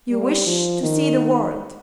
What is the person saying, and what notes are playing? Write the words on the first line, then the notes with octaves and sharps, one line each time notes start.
'You wish to see the world.
G3
F3
D#3